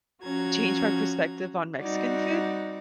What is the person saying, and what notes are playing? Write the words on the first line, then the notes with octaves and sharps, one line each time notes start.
changed my perspective on Mexican food,
F3 C#4 F#4 A#5 G#6
G3 C4 D#4 F#4 D5 F#5